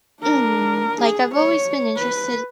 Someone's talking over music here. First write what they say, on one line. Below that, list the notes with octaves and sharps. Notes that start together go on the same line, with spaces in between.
Mhm, like, I've always been interested,
D4 A#4
G#4
C#5
B4